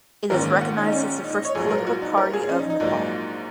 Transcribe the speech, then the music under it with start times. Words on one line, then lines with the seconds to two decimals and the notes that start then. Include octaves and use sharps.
It is recognised as the first political party of Nepal.
0.30 A#1 G#2 D#3 A#3 C#4 A#4
0.61 F#5
0.78 D#4
0.92 C#4
1.24 D#4
1.34 D#5
1.45 C#5
1.55 A#1 G#2 F#3 G#4
1.71 A#4
1.87 F#4
2.02 D#4
2.17 A#4
2.33 G#4
2.49 C#4
2.59 D#4
2.70 D#4
2.80 A#1 G#2 F#3 A#3